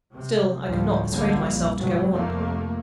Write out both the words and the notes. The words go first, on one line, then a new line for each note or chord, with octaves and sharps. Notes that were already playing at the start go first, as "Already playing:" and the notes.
Still I could not persuade myself to go on.
C3
D2 A2 F3 G3
B1 D3 G3 A#3
A#1 F2
G1 C#2 B2 F#3
F1 F2 C3 A3 A#3